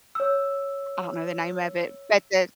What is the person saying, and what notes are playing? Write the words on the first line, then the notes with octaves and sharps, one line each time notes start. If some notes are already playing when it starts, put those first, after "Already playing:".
I don't know the name of it, but the
C#5 E6